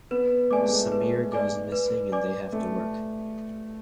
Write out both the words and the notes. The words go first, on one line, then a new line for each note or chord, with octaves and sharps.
Sameer goes missing and they have to work.
B3 B4
A3 D5 G#5 D6
G#3
A3
B4
D5 G#5 D6
B4
D5 G#5 D6
A3